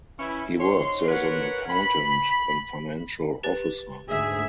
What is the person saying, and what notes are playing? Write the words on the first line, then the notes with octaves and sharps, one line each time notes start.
He works as an accountant and financial officer.
E3 C#4 E4
G#2 C#5 C6
A#4 B4 C#5 F#5
B5
G4 B4 A6
D2 G#2 G#4 E5